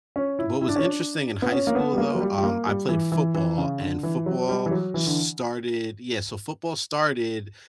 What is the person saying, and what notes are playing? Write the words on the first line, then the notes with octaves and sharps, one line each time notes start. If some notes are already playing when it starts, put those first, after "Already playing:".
what was interesting in high school though, um, I played football and football started yeah, so football started,
C#4
E4
E4
D4
C#4
D4
B3
C#4
A#3
B3
G3
A#3
F#3
G3
G3
A#3
G3
E3
E3
E3
C#3
D3
E3
F#3
G3
E3
F#3
E3
D3